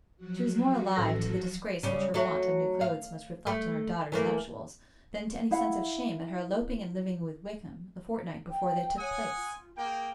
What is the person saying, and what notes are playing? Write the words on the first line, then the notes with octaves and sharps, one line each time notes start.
She was more alive to the disgrace which her want of new clothes must reflect on her daughter's nuptials, than to any sense of shame at her eloping and living with Wickham a fortnight before they took place.
F3 F#3 F#4
A1 A4 A#6
C#3 G3
F#3 A3 F#4
F5
A3
E3 A3 A#3
E4 F5 F#5
G5
C#5 F#5 G#5 D#6
F4
A#3 G#4 G5